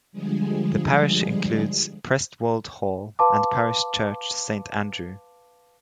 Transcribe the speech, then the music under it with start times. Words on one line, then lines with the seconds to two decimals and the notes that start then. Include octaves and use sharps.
The parish includes Prestwold Hall and parish church Saint Andrew.
0.12 D3 F3 G3 G#3 G#4
3.19 B4 F5 A5 C6 D6